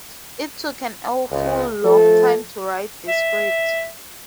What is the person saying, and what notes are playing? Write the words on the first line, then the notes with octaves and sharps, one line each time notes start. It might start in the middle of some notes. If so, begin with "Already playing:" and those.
It took an awful long time to write the script.
C#2
F3 A3 A4
E5